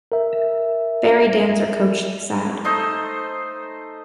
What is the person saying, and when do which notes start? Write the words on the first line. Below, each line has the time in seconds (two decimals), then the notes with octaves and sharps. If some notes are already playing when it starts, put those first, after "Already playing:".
Barry Dancer coached the side.
0.12 A#4 E5
2.64 A3 D#4 C5 D#5